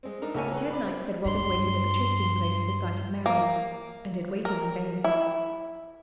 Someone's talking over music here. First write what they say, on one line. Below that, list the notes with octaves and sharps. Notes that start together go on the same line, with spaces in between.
For ten nights had Robin waited at the trysting place for sight of Marian; and had waited in vain.
G#3 C4
D4 D#4 A#4
C#2 A3 A#3 A#4 C#5 G#5
B4
D5 B5
C4
G2 C6
A#3
A#4
E4